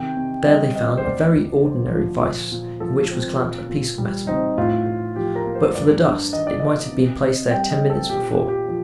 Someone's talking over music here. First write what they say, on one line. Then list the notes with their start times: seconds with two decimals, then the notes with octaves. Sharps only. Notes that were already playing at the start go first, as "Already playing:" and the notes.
There they found a very ordinary vise, in which was clamped a piece of metal; but for the dust, it might have been placed there ten minutes before.
Already playing: C3 D#3 G5
0.17 C3
0.46 G3 D#5
0.76 C4 D#5
0.98 C5
1.05 D2 D5
1.34 D2
1.64 D3 C5
1.92 F3
2.22 A#2
2.52 A#2
2.80 F3 A4
3.11 C4
3.39 A#2
3.70 A#2
3.98 G3
4.27 C4 D#4
4.58 A2 F4
4.86 A2
5.16 F3 G4
5.36 A#4
5.45 A#3
5.55 C5
5.74 G2 D5
6.04 D4
6.33 D#3 D#5
6.47 D5
6.60 A#3 D#5
6.92 C3
7.21 C3
7.51 G3 G5
7.71 D#5
7.80 C4
7.90 A4
8.09 A#2 G4
8.30 G4
8.39 A#2
8.48 G4
8.68 F3